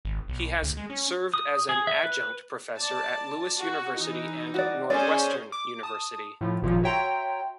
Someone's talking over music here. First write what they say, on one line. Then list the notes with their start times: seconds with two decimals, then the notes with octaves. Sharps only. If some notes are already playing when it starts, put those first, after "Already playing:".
He has served as an adjunct professor at Lewis University and Northwestern University.
0.05 G#1
0.28 B1
0.62 D2
0.77 G#3
0.90 C#4
1.34 D#6
1.69 G#4
1.87 E5
2.04 B4
2.76 D5 A5
3.58 F#4
3.95 E3 D#4
4.54 F#4 D5
4.90 C#4 G#4 C5 D5
5.52 D6
5.83 A5 D#6
6.41 A2 F3
6.62 G#1 A#2 C#3 F3
6.83 F#4 C#5 E5 G5 A#5 C6